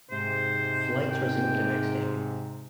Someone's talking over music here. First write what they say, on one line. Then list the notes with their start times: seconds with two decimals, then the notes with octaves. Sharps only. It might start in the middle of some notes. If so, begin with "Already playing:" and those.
Flights resumed the next day.
0.11 G#2 C3 C5
1.11 G5